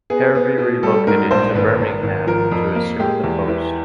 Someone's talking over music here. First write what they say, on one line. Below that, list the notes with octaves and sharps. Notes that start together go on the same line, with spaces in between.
Hervey relocated to Birmingham to assume the post.
B3 G#4
B3
B2
G3 A4
G#2 A#4
A#1 C5
G#1 B4
G#1
G#1
F3 A#4
F2
A#3
G#3 G4
E2
E3